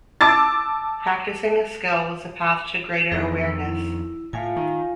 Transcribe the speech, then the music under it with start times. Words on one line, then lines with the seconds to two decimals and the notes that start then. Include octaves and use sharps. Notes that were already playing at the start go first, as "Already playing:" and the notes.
Practicing a skill was a path to greater awareness.
0.21 A5 D6 E6 A6
3.11 F2 D#3 E4 G#4 E5
3.41 E6
3.64 E4
4.33 A2 F4 F5 G#5
4.56 D#3